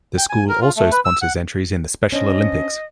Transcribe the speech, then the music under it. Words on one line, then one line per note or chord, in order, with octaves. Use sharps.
The school also sponsors entries in the Special Olympics.
G5
G#5
A#4
F4
A3
B4
E6
F#5
C#4 D4 C5 D#5